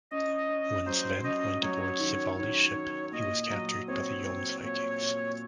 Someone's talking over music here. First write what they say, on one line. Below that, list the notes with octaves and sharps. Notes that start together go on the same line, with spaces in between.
When Sweyn went aboard Sigvaldi's ship, he was captured by the Jomsvikings.
C#4 D#5
C#4
F#3 C5
C#4 D#5
F#3 C#5
D#3
D#3 C#5
D#3
A#2 D#5
F#3
C4 C#5
C4
A#2 C#5
A#2